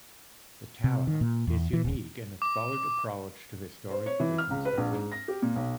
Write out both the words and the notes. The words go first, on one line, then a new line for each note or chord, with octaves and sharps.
The tower is unique in its bold approach to historic reconstruction.
C3
D#3
A#2
E2
E3
D#1
D6
C5
C#5
E3
F6
C#2
B4
A#1
G#2
A#6
G4
A#2
B1